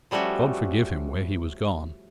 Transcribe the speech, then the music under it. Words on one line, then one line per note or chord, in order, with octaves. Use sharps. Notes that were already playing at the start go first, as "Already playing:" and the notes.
God forgive him, where he was gone!
F3 G3 A3 C#4 F#4